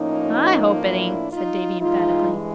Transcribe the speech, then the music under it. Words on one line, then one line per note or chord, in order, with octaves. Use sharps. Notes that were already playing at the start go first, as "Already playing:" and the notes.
"I hope it ain't," said Davy emphatically.
Already playing: A2 F3 A#3 C#4 D#4
D4 E4
D#4 F4
G2 E3 G#3 D#4 F4